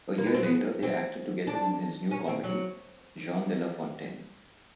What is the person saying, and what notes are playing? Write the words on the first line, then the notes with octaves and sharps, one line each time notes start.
A year later they acted together in his new comedy, "Jean de la Fontaine".
A#3
B3
C4
B3
C4
D4
C#4
C4
F#3